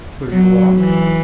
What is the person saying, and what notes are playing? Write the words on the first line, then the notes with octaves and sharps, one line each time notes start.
"Will you walk?"
F#3
E3